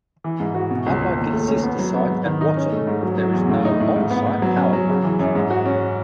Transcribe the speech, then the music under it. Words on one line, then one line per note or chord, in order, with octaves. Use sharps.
Unlike its sister site at Watten, there was no on-site power plant.
E3
G#2
F#4
B2
C#2
C#2
D#2
A3
C#4
B3
F#3
B3
G#2
D#3
D#4
C#4
A3
G#2
F#3
F#3
E2
A2
D#4
A2
G#2
B3
B3
F#3
C#4
F#3
C#3
E3
F#2
G#2
F#4
C#4